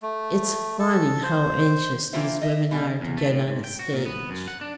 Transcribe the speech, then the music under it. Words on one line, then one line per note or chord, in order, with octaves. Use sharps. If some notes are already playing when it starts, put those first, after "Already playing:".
"It's funny how anxious these women are to get on the stage."
A3
A4
C5
E3 A#3 F4 G4 C5 E5
D#5 E5
B2 G3 G#5
E2
A3
A2
G#2
G5
F#4
A#2
B3
F#2
F#5
D4